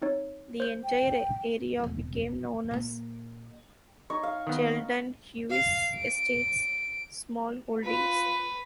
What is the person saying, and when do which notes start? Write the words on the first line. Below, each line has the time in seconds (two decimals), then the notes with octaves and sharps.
The entire area became known as Geldenhuis Estates Smallholdings.
0.02 C4 D#4 C#5
0.60 C5 G6
0.84 G5
1.80 E1 C4
2.71 A#2 A#3
4.10 D#4 C#5
4.23 F5
4.47 D#3 B3
5.50 F5
5.95 D7
7.86 F4 B4